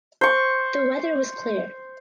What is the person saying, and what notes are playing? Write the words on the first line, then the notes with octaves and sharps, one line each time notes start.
The weather was clear.
C5 C#6